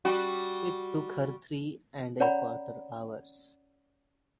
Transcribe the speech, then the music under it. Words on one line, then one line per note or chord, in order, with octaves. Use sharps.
It took her three and a quarter hours.
G3 F#4
C#4 C#5 D5 F#5 A#5 B5